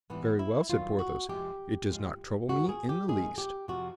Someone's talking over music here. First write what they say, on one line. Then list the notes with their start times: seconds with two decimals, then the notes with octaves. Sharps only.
"Very well," said Porthos, "it does not trouble me in the least."
0.10 G#2 E3 G3 B3
0.39 E4
0.70 G2 D#3 F#3 F4
0.99 F#4
1.28 F2 C3 F3 G#3 G4
1.89 G#2 F3 G#3
2.49 G2 D#3 G#3 F#4
2.69 G#4
2.89 G4
3.08 F#2 D#3 G#3 G#4
3.38 G4
3.68 F2 C3 F3 F#4